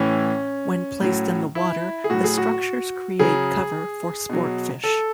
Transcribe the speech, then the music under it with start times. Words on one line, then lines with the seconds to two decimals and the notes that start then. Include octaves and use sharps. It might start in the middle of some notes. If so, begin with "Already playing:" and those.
When placed in the water, the structures create cover for sport fish.
Already playing: A2 E3 C#4
1.01 A2 F#3
1.55 E4
2.04 G#4
2.10 A2 F#3 F#4
2.24 G#4
2.37 F#4
2.51 F#4
3.19 C#3 F#3 G#4
4.29 B2 F#3
4.84 A4